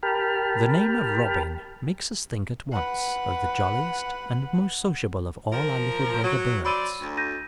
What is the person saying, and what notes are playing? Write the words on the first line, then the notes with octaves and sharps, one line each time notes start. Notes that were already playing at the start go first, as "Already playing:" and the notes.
The name of Robin makes us think at once of the jolliest and most sociable of all our little brother birds.
G4 A#4 G5 A5 B5 F6
B4 F#5
F3 A#4
F#3
F#3 C5 D5 B5 E6 D#7
D2
G6 A#6 D#7